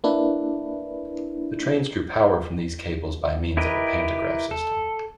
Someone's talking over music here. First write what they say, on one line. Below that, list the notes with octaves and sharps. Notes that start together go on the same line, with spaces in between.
The trains drew power from these cables by means of a pantograph system.
A#3 D4 E4 B4
E4 G4 A#4 B4 D#5
A4